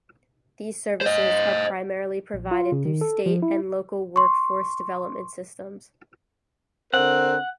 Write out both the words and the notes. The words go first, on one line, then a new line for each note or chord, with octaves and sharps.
These services are primarily provided through state and local workforce development systems.
C5 D#5
A#1
F4
C#3
D#3
A4
F3
E4
C6 C#6
D3 C4 A#4 F#5